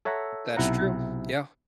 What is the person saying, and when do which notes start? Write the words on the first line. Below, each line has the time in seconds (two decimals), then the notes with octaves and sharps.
That's true, yeah.
0.05 A4 C#5 E5 F#5 A#5
0.57 B1 C3 E4 F#5 A#5